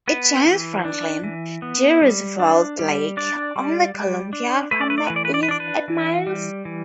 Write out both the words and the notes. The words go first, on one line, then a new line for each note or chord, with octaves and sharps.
It joins Franklin D. Roosevelt Lake on the Columbia from the east at Miles.
B3 B4
E3
D4
E3
B3
G3
D4
G3
D4 D5
G3
G3
D4
A3 B4
D5
B4
D5
E3 B4
D5
B4
D5
B4
D4 D5
B4
E3
G3
E3